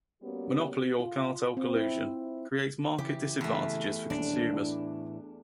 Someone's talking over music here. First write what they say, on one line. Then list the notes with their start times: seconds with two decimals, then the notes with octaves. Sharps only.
Monopoly or cartel collusion creates market disadvantages for consumers.
0.22 G3 A#3 B3 C#4 F#4 G4
1.00 F4
1.57 C4
1.75 E4
2.98 C#3 E3 G4
3.41 E2 A3
4.10 D#1 D4
4.53 A2 E3